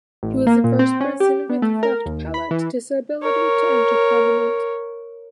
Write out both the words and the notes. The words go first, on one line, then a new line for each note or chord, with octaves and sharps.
He was the first person with the cleft palate disability to enter Parliament.
A1
A#3
A#2
C4
C#4
G4
B3
A3
A#4
D#2
B5
E3
A#4 C#5